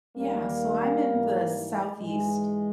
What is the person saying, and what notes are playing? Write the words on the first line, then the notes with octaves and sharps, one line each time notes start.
Yeah, so I'm in the southeast,
D#2 D#3 G3 A#3
G#2 E3
G#2 E3 G#3